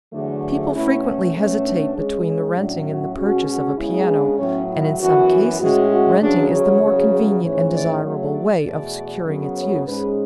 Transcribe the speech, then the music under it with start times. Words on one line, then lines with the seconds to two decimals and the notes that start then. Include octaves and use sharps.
People frequently hesitate between the renting and the purchase of a piano, and in some cases renting is the more convenient and desirable way of securing its use.
0.13 E2 D3 F#3 A3
0.73 B2 A3 C#4 E4
1.34 B2 A3 C#4
1.64 D4
1.95 C#3 G#3 C#4
2.25 C#4
2.55 A2 F#3 C#4 D4
2.86 F#4
3.16 B2 G#3 C#4 F#4
3.47 F#4
3.77 C#3 G#3 B3 E4
4.07 D4
4.38 A2 F#3 B3 C#4
4.68 E4
4.99 F#2 E3 B3 F#4
5.59 A2 G#3 C#4 F#4
5.90 F#4
6.21 E2 C#3 F#3 C#4 D4
6.51 C#5
6.81 E2 C#3 F#3
7.42 G#2 E3 A3 C#4 C#5
7.73 D5
8.03 C#3 F#3 A3 C#5
8.33 D5
8.64 E2 B2 A3
9.25 F#2 C#3 F#3 B3
9.55 C#5
9.85 G#2 G#3 C#4 B4